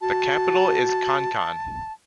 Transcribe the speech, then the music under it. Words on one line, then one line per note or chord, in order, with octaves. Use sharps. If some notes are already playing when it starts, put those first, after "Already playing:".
The capital is Kankan.
F#4 A5